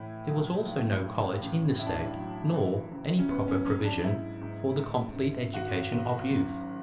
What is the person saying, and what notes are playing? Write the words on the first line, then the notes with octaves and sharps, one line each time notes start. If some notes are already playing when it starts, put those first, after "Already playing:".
There was also no college in the state, nor any proper provision for the complete education of youth.
Already playing: A2 E3 E4
B1
B1
A2
A1
A2 E4
D4
E4
F#3
E3
F#1
C#4
F#1 B3
C#4
F#2 C#4
D4
G#2 E4
G#2
G#2
G#2
G#1 F#4
G#1
F#2